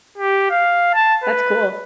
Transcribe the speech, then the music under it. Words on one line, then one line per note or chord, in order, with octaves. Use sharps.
That's cool.
G4
F5
A5
B4